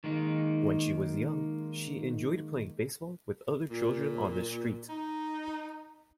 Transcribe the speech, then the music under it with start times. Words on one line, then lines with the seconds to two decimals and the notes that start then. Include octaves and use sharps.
When she was young, she enjoyed playing baseball with other children on the street.
0.04 D#3 G#3 A#3 D#4
3.70 A#2
4.89 D#4